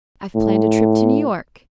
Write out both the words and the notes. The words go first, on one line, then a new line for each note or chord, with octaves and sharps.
"I've planned a trip to New York."
A2